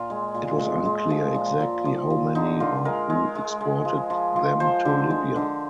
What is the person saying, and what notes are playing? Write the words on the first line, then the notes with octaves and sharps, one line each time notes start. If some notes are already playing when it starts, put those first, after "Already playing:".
It was unclear exactly how many or who exported them to Libya.
Already playing: A#2 F4
G#3
A#2
G#3
G#3
F3
A#2
A#2
F3
A#2
D3 D#4
D3 F4
G#3 A#4
G#3
G#3
G#3
F3
F3
F3
F3 C5
D3
G#3
D3